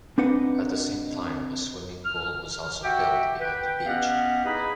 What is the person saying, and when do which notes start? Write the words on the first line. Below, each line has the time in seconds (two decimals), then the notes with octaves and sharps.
At the same time a swimming pool was also built behind the beach.
0.18 C4 D4 D#4 B4 F#5
2.04 F6
2.83 F#4 G4 E5 F#5 G5
3.40 B4 G5
3.86 B3 C#4 G4 D#5 F5 F#5
4.44 D#4 E4 G#4 B4 D#5 B5